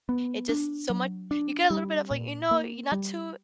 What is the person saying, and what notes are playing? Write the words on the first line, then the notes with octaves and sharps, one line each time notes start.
It just so much you get a little bit of, like you know, you're not too
B3
D4
F#3
D4
G3
A#2
A#3
G3